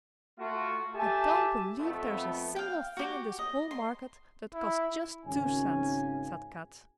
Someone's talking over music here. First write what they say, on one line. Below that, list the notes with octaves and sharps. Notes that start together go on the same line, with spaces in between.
"I don't believe there's a single thing in this whole market that costs just two cents," said Kat.
A3 F4 F#4
G4 A4 E5 G#5 A5
F2 A3 B3
F5 G5
F#4 G4
D#5
C6
E4
G#1 C#3 C#4 G#5